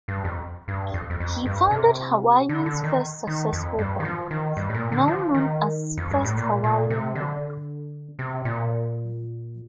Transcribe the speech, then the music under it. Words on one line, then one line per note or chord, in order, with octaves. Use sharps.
He founded Hawaii's first successful bank, now known as First Hawaiian Bank.
G2
F2
G2
F2
F2
F2
G2
C3
D3
D3
D#3
D#3
F2
G2
D#3
F3
D#3
G2
A2
A#2
D3
F3
D#3
F2
G2
A2
A#2
A#2
C3
D3
C3
A#2